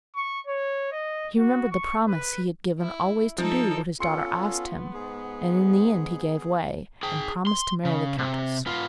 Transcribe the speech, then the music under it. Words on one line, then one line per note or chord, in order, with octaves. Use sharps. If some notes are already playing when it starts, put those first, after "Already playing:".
He remembered the promise he had given always to do what his daughter asked him and in the end he gave way, and promised to marry the countess.
C#6
C#5
D#5
F#4
C#6
B4
E4
F3 D#4 A4
B3 C#4 F4 A4 C6 C#6 C#7
G#2 G#4
G#4 G5
C6
C#3
C3
B3 F4